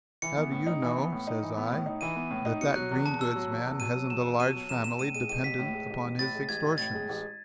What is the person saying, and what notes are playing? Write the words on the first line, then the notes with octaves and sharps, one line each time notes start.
How do you know,' says I, 'that that green goods man hasn't a large family dependent upon his extortions?
E3 C#7
B3
A2
D#4
E3
B3
A2
D#4
E3
B3
A2
D#4
E3 D#7
B3
A2
D#4
B2 C#7
F#3 F#6
E2
E2 A5
B2 E6
F#3
E2
E2
B2 D#7
F#3
E2 E7
E2
B2 D#7
F#3
E2 E7
E2 E7
A2 D#7
G#3 D#7
A1 D#7
A1 B6
A2
G#3
A1
A1
A2 A6
G#3
A1 G#6
A1
A2 A6
G#3
A1